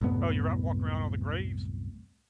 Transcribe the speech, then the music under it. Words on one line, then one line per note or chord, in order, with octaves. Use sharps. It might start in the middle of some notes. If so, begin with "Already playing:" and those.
Oh, you're out walk around all the graves?
C2 F#2 A2 B3